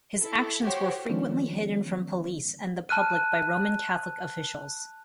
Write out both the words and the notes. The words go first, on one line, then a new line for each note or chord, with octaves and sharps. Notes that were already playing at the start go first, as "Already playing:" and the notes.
His actions were frequently hidden from police and the public by Roman Catholic officials.
E4 A4
F#4 G4 C5 C#5
D#3 F3 G#3 B3 C#4 D4
A5 F6 F#6 D#7